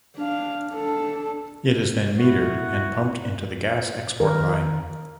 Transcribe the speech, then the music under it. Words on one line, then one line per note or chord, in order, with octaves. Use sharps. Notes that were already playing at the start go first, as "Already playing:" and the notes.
It is then metered and pumped into the gas export line.
D4 F5
D4 A4
E4 F#4
D#3 A#4